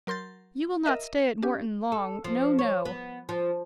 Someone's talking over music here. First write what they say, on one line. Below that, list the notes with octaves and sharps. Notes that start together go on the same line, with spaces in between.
"You will not stay at Morton long: no, no!"
F#3 A#4 C6 G6 A6
A#4 D#5 E5
C#4 G4
A4
F3
C#5
B3
F3